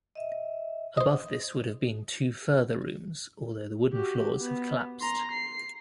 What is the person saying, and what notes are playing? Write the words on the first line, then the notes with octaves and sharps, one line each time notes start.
Above this would have been two further rooms, although the wooden floors have collapsed.
D#5 E5
C5 D#5
F#4 G4
B3
A#5 C6
C7